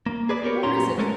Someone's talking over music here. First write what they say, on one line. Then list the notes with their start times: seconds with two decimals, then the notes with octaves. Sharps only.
"Where is it?"
0.06 A#3
0.29 G#4 B4 D5
0.43 B3 G4 A#4 C#5
0.63 F#2 A#2 B3 C#4 A#5 C6
0.98 G#3 A3 C#4 A4 A#4